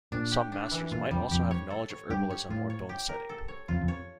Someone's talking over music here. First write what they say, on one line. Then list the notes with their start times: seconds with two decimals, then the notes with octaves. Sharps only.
Some masters might also have knowledge of herbalism or bone-setting.
0.12 A#2 D4
0.32 G4
0.52 D4
0.71 E3
0.91 A#2 F4
1.11 F2 G3
1.31 F2 G4
1.51 C#5
1.70 A4
1.90 C#5
2.10 G2 G4
2.30 C#5
2.49 A2 F4
2.70 C#5
2.89 G4
3.09 A#4
3.29 A4
3.48 C#5
3.68 F2 F4
3.81 F2
3.88 C#5